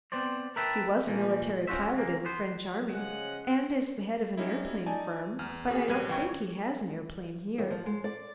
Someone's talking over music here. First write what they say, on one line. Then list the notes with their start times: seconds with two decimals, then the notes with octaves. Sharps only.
"He was a military pilot in the French army and is the head of an aeroplane firm, but I don't think he has an aeroplane here."
0.12 B3 C4 C5 D5
0.56 A#4 B4 E5 G5 A5
1.07 A#2 E3 F3
1.67 C#4 F4 F#4 C5 E5
1.94 F2 C#3 A#3
2.25 B3 C5
2.90 C#3 F3 C#4 C5 D#5 F#5
4.38 G3 C#4 D#4 E4
4.86 D#4 D5 G#5 A5
5.39 E2 F6
5.68 A#3 F#4 G#4
5.88 A#1 G3 B4 G#6 D#7
6.09 C#2 E3 G3 G5 C#6
7.58 D#2
7.71 F3
7.86 G#3
8.04 D5